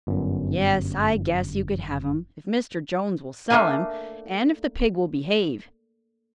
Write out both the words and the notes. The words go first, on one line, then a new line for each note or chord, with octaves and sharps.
Yes, I guess you could have him, if Mr. Jones will sell him, and if the pig will behave.
G1 F#2
A3 A#3 D4 A#4 G#5